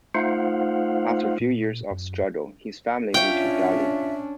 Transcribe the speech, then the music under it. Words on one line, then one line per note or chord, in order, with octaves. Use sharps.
After a few years of struggle, his family moved to Delhi.
A3 D#4 F4 C5 F5 F#5
A#2
F#2
C#4 D4 F4 C#5 E5 G5